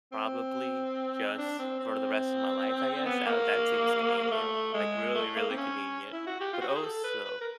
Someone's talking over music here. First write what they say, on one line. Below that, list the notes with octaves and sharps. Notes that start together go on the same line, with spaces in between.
probably just for the rest of my life, I guess that that seems convenient, like, really, really convenient, but also
C4
D4
C4
C4
B3
A#3
A3
G#3
A3
A#3
C4
C#4
E4
F#4
G4
F4
F#4
G4
G#4
A4
B4
B4
A#4